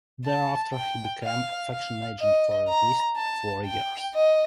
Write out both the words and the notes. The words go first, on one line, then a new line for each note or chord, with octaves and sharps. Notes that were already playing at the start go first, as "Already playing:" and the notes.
Thereafter he became a Faction agent for at least four years.
A5
G5
F5
F5
D#5
A#5
A5
G5
D#5